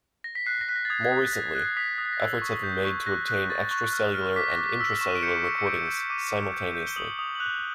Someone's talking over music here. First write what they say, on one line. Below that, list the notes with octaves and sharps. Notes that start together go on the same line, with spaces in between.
More recently, efforts have been made to obtain extracellular and intracellular recordings simultaneously.
A#6
B6
F#6 C7
A#6
F#6 B6
A#6
A6
D#6 G#6
G#6
D#6
A6
F#6 A#6
F#6
C7
D#6 B6
D#6 A#6
B6
A#6
E6
C#6
G6
C#6
F#6 A#6
F#6
C#6 A6
C#6
F6
F6
D6 B6
A#6
D6
B6
E6 B6
C#6 E7
D#7
D7
G6 C#7
C#6
C#7
G6 D7
G6
D6 D#7
D6
G6
G6
G7
D#6 F#7
D#6
F#7
F#6 F7